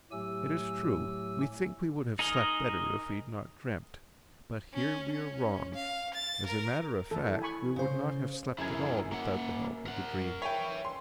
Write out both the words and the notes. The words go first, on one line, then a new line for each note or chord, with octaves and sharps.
It is true, we think we would have slept better if we had not dreamt, but here we are wrong; as a matter of fact, we would not have slept at all without the help of the dream.
A2 F#3 A3 G4 G#5 E6
D#4 G#4 A#4 D#5
C#4
C#4
F5
A6
A#4
E3 A4
G#5 B5 C#6
C#3 C5
F#2 E4 G#4 A#4 G#6
A#3 F#5
A#4 F#5
C#5 E5 G5 G#5
C6